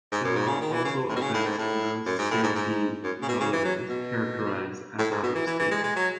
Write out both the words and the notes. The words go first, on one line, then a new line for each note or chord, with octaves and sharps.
There are also events of no safety relevance, characterized as "out of scale".
G#2
F#2
G#2
C#3
D#3
E3
C#3
A2
B2
C#3
A2
G#2
A2
F#2
G#2
A2
G#2
G#2
F#2
C#3
B2
C#3
E3
F#3
B2
A2
G#2
B2
E3
E3
E3
G#3
G#3
F#3